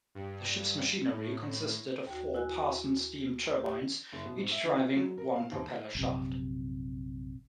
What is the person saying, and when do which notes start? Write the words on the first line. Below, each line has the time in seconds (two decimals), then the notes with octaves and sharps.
The ship's machinery consisted of four Parsons steam turbines, each driving one propeller shaft.
0.15 G2
1.10 A2
2.07 D#2 F#4
2.34 E4 F#4 G#5 F#6
3.58 E4 G4
4.12 F#1
4.25 B2
4.38 G#2
4.51 E5
4.64 D3
4.76 F4
4.95 F#3
5.18 A#4
5.36 F5
5.52 D#2
5.95 A#1 F#2 C3